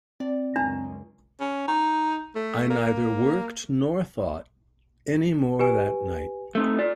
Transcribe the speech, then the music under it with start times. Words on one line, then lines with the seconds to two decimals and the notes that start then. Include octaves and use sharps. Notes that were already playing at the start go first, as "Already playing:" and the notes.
I neither worked nor thought any more that night.
0.20 C4 D5
0.56 C#2 F#2 C#3 D4 A#5
1.40 C#4
1.68 D#4
2.35 A3
2.70 A#3
5.59 G4 B4 G#5
6.55 A3 C4 D#4
6.79 F4 D5